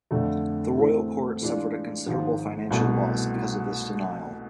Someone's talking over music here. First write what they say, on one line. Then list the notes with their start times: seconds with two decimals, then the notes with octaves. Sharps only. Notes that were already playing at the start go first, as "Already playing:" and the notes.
The Royal Court suffered a considerable financial loss because of this denial.
0.11 F2 D3 F3 A3
0.76 A2 E3 A3 C4 G#4
1.41 A2 E3 G#3 D4 F4
2.06 G#1 G#2 F3 G#3
2.71 C2 B2 A3